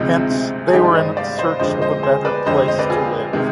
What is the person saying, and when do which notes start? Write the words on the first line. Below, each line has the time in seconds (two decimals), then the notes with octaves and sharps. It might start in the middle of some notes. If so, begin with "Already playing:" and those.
Hence, they were in search of a better place to live.
Already playing: D2 C3 F3 G#3 C4 D#4
0.30 C4
0.68 G#4
0.73 G2 D#3 G#3 D#4 G4
0.84 D5
0.95 C5 D#5
1.17 D5 F5
1.38 C5 D#5
1.59 F2 D3 F3 G#3 C5 D#5
1.82 C5 D#5
2.03 G#4 C5
2.25 B4 D5
2.46 F2 D3 G#3 C5 D#5
2.68 C5 D#5
2.79 B4 D5
2.90 F4 G#4
3.33 C3 D#3 G#3